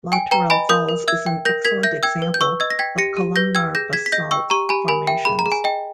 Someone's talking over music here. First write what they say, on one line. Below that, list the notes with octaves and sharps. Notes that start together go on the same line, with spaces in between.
Latourell Falls is an excellent example of columnar basalt formations.
G5 G#5
B4 G5 A#5
D#5 G#5 B5
A#4 D#6 G6
A#4
E5 E6 G#6
G5
A#4 G6 A#6
A#4 G#6 B6
E5 G6 A#6
G5 E6 G#6
B4
G6
B4 C#6 E6
D#5 E6 G#6
A#6
G5 G#6 B6
G4 A#6 C#7
G4
B4 G6 A#6
G5 E6 G#6
G#4 G6 A#6
G#4 G#6 B6
B6
D#5 G6 A#6
G5 C#6 E6
G4 A#5 C#6
G4 G#5 B5
A#4 G#5 B5
E5 G5
G#4 B5
A#5
G#4
G#5
D#5 G5